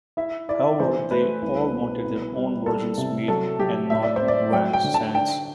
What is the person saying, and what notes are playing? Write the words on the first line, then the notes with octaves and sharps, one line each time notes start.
However, they all wanted their own versions made and not Van Sant's.
E4 E5
E4 D5
E3 C5
A3 B4
C2
B2
C2
G3
G3 A4
C3
F#3 A4
F#3 G4
A2 E5
D5
C5
C4
D5
F#3 G5
G5
D3
A5
D4 G5